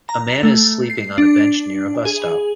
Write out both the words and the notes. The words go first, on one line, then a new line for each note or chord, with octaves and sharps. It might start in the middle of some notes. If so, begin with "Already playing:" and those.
A man is sleeping on a bench near a bus stop.
A#5
A3
C7
D4
G#4